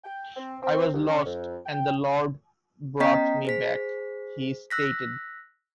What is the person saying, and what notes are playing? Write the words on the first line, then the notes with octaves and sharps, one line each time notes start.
"I was lost and The Lord brought me back", he stated.
G5
C4
C4
C2
C#4
F2
G5
B3 C#4 D#5 G5 A#5 B6
G#4 C5 B6
E6 F#6 A#6 B6